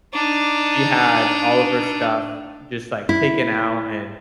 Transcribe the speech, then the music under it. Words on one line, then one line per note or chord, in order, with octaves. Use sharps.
she had all of her stuff just, like, taken out, and,
D4 D#4
E4